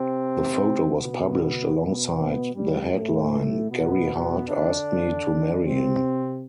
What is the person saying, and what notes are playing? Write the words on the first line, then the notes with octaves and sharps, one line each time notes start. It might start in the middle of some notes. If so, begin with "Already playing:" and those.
The photo was published alongside the headline "Gary Hart Asked Me to Marry Him".
Already playing: C3 C4
B2 B3
B2 B3
G2 G3
A2 A3
B2 B3
D3 D4
C3 C4